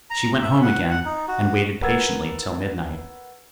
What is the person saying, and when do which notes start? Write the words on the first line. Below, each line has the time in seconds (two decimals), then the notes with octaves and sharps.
She went home again, and waited patiently till midnight.
0.10 A#5
0.42 E5
0.62 F#5
0.91 F#5
1.05 D#4
1.28 F#4
1.81 A#4 B4 F#5 E6 G#6 A6